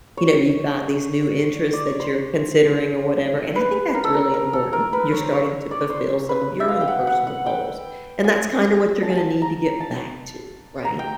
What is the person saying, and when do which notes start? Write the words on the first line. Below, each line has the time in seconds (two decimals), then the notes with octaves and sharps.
you know, you've got these new interests that you're considering or whatever, and I think that's really important. You're starting to fulfill some of your own personal goals and that's kinda what you're gonna need to get back to, right?
0.17 C#5
1.73 D5
1.86 C#5
2.00 C5
3.56 B4
3.95 A#4
4.04 A4
4.14 A#4
4.34 A#4
4.53 A4
4.73 A#4
4.93 B4
5.12 C#5
5.23 C5
5.33 C#5
5.71 D5
5.81 C#5
5.90 C5
6.29 B4
6.60 E5
6.68 F5
6.81 G5
6.88 F#5
7.07 F#5
7.27 F#5
7.46 G5
8.24 G#5
9.03 A5
9.10 G#5
9.17 A5
9.42 A#5
9.80 A5
10.85 A#5
10.99 G5